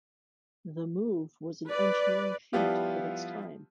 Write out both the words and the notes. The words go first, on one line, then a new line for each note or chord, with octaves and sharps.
The move was an engineering feat of its time.
B4 D5
F3 G3 B3 E4 F4 G4